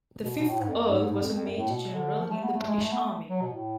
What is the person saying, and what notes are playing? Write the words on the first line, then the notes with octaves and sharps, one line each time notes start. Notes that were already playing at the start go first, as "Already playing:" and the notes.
The fifth Earl was a Major-General in the British Army.
B2
B2
A2
G#2
F2
F#2
G#2
G#2
F2
F2
F#2
A2
B2
D3
F3
A3
B3
A3
G#3
A3
B3
A3
F#3
B2
A2